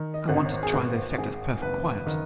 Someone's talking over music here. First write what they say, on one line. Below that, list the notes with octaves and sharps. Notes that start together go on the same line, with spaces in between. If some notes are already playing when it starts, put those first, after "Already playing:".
I want to try the effect of perfect quiet.
Already playing: D#3
D#5
G#1 F#5
D#5
C#5
G#4
G#1 B4
G#1 G#4
F#1 B4
D#3